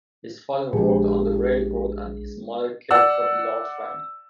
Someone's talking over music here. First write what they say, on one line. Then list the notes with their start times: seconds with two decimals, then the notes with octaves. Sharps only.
His father worked on the railroad, and his mother cared for the large family.
0.73 A#1 G#3 D4 G4 G#4
2.91 D5 F#5 E6